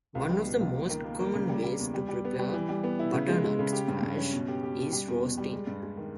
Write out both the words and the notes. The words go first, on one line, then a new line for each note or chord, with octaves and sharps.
One of the most common ways to prepare butternut squash is roasting.
C#2
G3
B2
C#2
A#3
D#3
A#3
A#3
C#3
G3
G3
E2
G3
G3
B3
G3
E3
G3
B3
E4
C#3
G#3
G#3
C#3
G4
G2
G2
C#4
B2
G4
G4
B2
G3
E2
B2
G3
G#3
G2
G#3
D#3